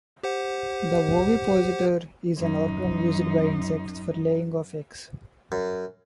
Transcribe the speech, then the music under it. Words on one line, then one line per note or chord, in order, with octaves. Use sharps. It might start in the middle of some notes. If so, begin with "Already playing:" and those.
The ovipositor is an organ used by insects for laying of eggs.
G4 C5 F#5
F#2 D#4
F#2